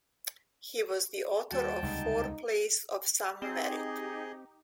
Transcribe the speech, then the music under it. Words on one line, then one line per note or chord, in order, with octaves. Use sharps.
He was the author of four plays of some merit.
D#2 G3 F#4 F#5 G5 A5
C#2 C3 G#3 D#4
C4 D#4 G4 G#4 D#5